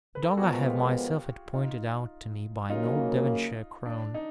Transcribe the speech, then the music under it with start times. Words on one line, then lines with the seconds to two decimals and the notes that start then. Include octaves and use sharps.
The dog I have myself had pointed out to me by an old Devonshire crone.
0.15 B4
0.23 A#4
0.30 A4
0.37 A#2 F3 G#3 B3 F#4 G#4
0.67 F4 G4
1.53 D#4 F4
2.69 C#3 F#3 A#3 D#4 F4
3.86 D4
4.14 D#4